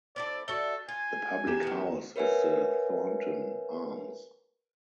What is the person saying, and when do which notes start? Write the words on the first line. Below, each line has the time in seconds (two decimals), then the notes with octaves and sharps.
The public house is the Thornton Arms.
0.16 C4 E4 A4 D5
0.48 F#4 A4 D5 E5 G7
0.89 F4 G#5
1.46 E2 G4 E7
1.63 D#3 B3
2.16 A#4 B4 C#5 E5 F#5 G#5